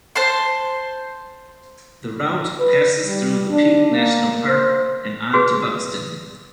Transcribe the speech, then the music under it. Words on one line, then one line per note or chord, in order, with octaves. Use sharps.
The route passes through the Peak National Park and on to Buxton.
C5 A5 C6
B4
G3
D4
A#3
C5
F#4 G#4 B4